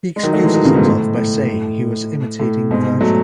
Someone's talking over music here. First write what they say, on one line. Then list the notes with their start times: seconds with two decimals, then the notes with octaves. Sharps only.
He excuses himself by saying he was imitating Virgil.
0.16 G#3
0.23 D#3 F#3
0.33 F#3 A3
0.44 E3 G#3
0.54 D#3 F#3
0.65 C#3 E3
0.75 G#2 B2
0.86 A2
1.16 A2
2.40 A2
2.71 G#2 B2
3.01 F#3 A3